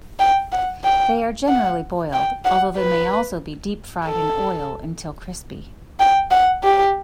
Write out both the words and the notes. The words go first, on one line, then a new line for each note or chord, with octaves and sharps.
They are generally boiled, although they may also be deep-fried in oil until crispy.
G5
F#5
G5
F#5
G5
F#5
B4
A4
G5
F#5
G4